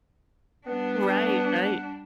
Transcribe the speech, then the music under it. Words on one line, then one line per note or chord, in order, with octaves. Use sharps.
Right, right.
G3 B3 D4 F#5